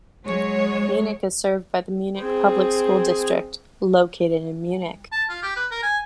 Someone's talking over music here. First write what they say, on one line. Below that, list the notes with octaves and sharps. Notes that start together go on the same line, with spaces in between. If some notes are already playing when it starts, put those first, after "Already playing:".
Munich is served by the Munich Public School District, located in Munich.
F#3 G#3 C#5
C4 G#4
A5
F4
G4
B4
A#4
G#5